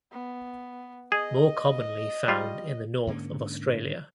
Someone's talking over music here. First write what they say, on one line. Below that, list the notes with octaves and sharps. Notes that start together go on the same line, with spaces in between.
More commonly found in the north of Australia.
B3
G#4 D#5
G3 F4
G#2 D3 A#3 C#4